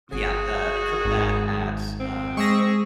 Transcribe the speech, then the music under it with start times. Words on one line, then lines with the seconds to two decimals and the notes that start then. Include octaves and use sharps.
but, yeah, uh, cook that at, uh,
0.12 G1 F#4 G#4
1.05 G#1
2.00 C4
2.37 G#3 G#4 C#6 E6 A#6